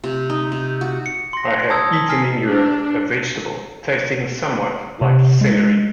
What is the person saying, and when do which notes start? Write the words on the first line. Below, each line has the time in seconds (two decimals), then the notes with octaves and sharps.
I have eaten in Europe a vegetable tasting somewhat like celery.
0.04 C3
0.30 D#4
0.52 C3
0.81 F#4
1.06 C#7
1.33 C6 A#6
1.70 A5 A#5 D#6 E6 G#6
1.93 B6
2.09 G#5 F6 B6 C7
2.45 D4
5.01 C3
5.41 G#3